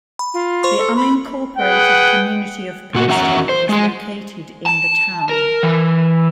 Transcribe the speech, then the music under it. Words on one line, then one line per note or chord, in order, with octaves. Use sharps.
The unincorporated community of Postville is located in the town.
B5
F4
C5 C6 C#6
A4
B5
G#4 B4 F#5 G5
A#2 F#4
E2 C#4 F#4 E5 F#5 A#5
C5
G#3 G#4
A5
A#4
E3